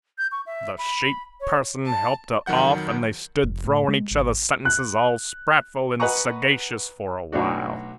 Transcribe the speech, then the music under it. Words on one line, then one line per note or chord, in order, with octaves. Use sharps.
The sheep person helped her off; and they stood throwing each other sentences all sprightful and sagacious for a while.
G6
C#6
E5
B5
C#5
A5
F2 D#3 F#3 F#5 G6
F1
A2
G#3
G#1
F#6
B4 D#5 F#5 G#5 A#5 C#6
B1 A2 D4 F#4